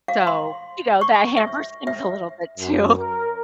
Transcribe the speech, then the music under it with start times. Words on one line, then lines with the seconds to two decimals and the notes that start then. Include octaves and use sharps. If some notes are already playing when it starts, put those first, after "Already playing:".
so, you know, that hampers things a little bit too.
0.08 F5
0.27 C6
1.01 C#6
1.37 E5
1.87 E5
2.58 F#2
2.98 A#4